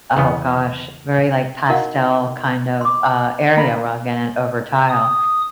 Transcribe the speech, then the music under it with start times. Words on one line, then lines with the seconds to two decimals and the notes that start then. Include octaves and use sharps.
oh gosh, very, like, pastel kind of, uh, area rug in it over tile.
0.17 E2 C#3 B3
1.69 D#4 F#4 A#4 D#5 F5 F#5
2.81 C6 D6
3.57 A#3 A#5 B5
4.89 D#6